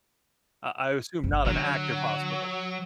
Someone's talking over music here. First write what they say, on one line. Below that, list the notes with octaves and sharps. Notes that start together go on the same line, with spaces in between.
I I assume not an active hospital.
G1 F#2
D3 F#3